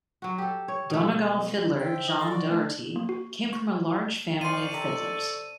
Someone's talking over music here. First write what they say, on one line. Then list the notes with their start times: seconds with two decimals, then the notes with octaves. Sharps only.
Donegal fiddler John Doherty came from a large family of fiddlers.
0.22 F#3 F#4
0.38 G4 A4
0.68 C#5
0.90 B2 A3
1.79 C5 E5 G5
2.07 D#5
2.19 A4 D#5 F5 A5 C6 A6
2.31 F#4 D5
2.51 A3 D4
2.96 A#3
3.09 F#4
3.53 C#6
4.41 F3 F4 D5 C6 C#6 D#7
4.74 C3 A4